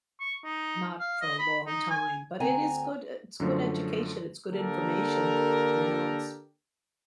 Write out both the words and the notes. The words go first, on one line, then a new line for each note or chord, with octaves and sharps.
not for a long time, but it is good e it's good education, it's good information. You know, it's
C#6
D#4
F5
D#5
B5
D#4
G#5
D2 C4 G#5 A#5
F#2 D3 F3 A3
D3 A#3 D4 G4 A4 A#4